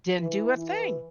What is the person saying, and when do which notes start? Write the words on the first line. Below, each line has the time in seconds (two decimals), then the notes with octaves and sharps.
didn't do a thing.
0.17 E3
0.56 E3